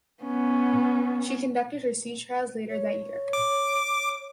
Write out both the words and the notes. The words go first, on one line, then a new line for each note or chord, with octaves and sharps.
She conducted her sea trials later that year.
B3 C#4
C#5
D6